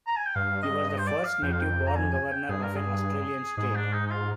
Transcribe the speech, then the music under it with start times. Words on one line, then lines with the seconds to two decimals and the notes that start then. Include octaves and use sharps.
He was the first native-born governor of an Australian state.
0.06 A#5
0.16 G#5
0.25 G5
0.36 G2 F5
0.63 D#5
0.89 D#5
0.98 C5
1.07 D5
1.24 F5
1.42 F2 G5
1.52 F5
1.61 G5
1.87 A#5
1.96 G#5
2.13 G#5
2.32 G5
2.49 G2 G#4
2.63 A#4
2.76 G#4
3.57 G#2 G#4
3.75 D4
3.93 D#4
4.06 D#4
4.11 F4